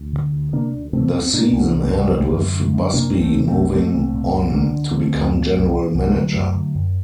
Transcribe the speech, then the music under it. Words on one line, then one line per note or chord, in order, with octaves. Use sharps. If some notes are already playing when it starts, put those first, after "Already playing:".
The season ended with Busby moving on to become General Manager.
Already playing: D2
D3
D2
C3 A#3 D4
D2
C3 A3 C4
D2
C4
A#2 A#3 D4
C2
A#2
C2
D3
F#2
D3
F#2
C3 A#3 D4
C2 D4
A3 C4
C3
A3 C4
C2
A#2 A3 C4
C2
A#2
C2
D3 A#3 D4
D2
D3 A3 C4
D2
A#2
C2
A#2
C2
A#3
D3 F#3 A3
F#2
D3
F#2